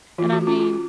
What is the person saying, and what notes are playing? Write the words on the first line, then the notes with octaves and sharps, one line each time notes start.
and I mean,
E3 F4
F#4
C#4 F4
F4